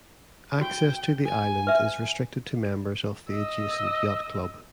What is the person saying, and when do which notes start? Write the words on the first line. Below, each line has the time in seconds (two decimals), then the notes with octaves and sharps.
Access to the island is restricted to members of the adjacent yacht club.
0.61 F#4 G5
1.25 G#5
1.67 B4 E5
3.30 D#5 E6